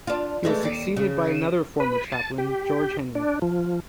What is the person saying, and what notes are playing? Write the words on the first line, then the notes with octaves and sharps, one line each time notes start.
He was succeeded by another former Chaplain, George Henry.
D4 F4
E3 G#3 A3
D#2 D5
C#3
B4
A5
G4
D4
F3